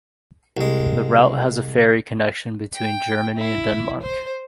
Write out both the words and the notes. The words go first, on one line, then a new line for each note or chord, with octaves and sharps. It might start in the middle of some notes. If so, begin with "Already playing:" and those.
The route has a ferry connection between Germany and Denmark.
C2 G#3
G5
E4
C5